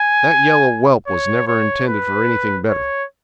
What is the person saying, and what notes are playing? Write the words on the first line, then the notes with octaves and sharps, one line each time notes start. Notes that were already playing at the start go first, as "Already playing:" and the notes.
That yellow whelp was never intended for anything better.
Already playing: G#5
C#5
C#5
B4
C#5